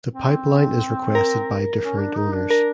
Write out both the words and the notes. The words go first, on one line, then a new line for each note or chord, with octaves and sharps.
The pipeline is requested by different owners.
C4
A#4
C#4
D4
D#4
D4
A#4